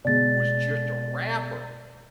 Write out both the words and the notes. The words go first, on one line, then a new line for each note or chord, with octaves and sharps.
was just a wrapper,
B2 G#3 D5 A6